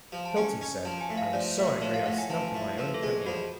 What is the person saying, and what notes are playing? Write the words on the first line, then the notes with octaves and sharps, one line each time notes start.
Hilton said, I was so angry I snubbed my own premiere.
F3
A5
C#4 G#5
C#4
F3 A5
G#5
A2
F5
F3 D5
A2
F3 C#5
F5
A2 F#5
G#5
F3 A5
A2
F3 B4
A4
G#3
G#4
F3 F#4